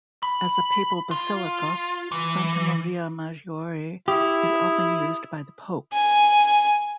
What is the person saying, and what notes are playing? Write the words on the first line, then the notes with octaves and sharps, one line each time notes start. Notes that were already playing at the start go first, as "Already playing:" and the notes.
As a papal basilica, Santa Maria Maggiore is often used by the pope.
B5
F4
E3
E4 G4 D#6
G#5